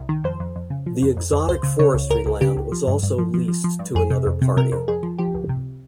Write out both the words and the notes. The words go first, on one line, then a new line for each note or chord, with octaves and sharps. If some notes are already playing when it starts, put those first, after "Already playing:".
The exotic forestry land was also leased to another party.
Already playing: C2
D#3
F2 C5
F2
F2
C#3
F3
F2
F2
F2
C#2 C5
C#3
C#3 C#5
C#2
C#2 A#4
C#2
C#3 G4
C#2
F3
G2
G2
F3
F3
F3
F3
G2
F2 G#4
C3
F2
C3
C3 A#4
F2
F2 G#4
F3
F3 G4
C#2
C3